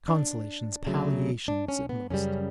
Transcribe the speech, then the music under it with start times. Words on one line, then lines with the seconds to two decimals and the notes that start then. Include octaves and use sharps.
Consolations, palliations at most.
0.08 D4
0.86 D2 C#3 F#3 A3
1.48 D4
1.68 C#4
1.89 B3
2.10 F#2 C#3 G3 C#4